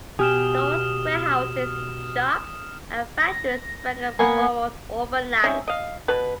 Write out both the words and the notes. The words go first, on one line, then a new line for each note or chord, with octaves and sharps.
Stores, warehouses, shops, and factories sprang up almost overnight.
B2 G4 G#5 D#6 F6 E7
A#6
A#3 B3 G#5
C4 C#4 D#4 E5
D#5 F5
B2 B4